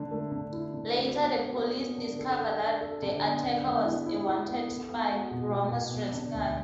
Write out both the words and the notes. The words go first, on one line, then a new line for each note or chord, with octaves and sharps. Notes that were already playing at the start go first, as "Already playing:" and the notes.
Later the police discover that the attacker was a wanted spy: Romo Stransky.
Already playing: D3 A3
A3
D3
E4
D3
F#4
B3
F#4
B3
B3
D3
A4
A4
D4
A4
D3
B3
D3
B3
E4
E4
E4
B3
A4
B3
F#4
B2
B3
B2
B3
D3
D2